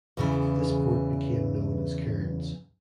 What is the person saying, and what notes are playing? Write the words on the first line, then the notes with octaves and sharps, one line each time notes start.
This port became known as Cairns.
E2 C#3 E3